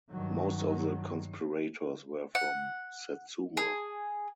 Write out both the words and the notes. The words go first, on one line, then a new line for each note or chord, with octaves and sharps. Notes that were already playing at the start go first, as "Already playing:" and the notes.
Most of the conspirators were from Satsuma.
G2 D#3 F#3
F#5
G#4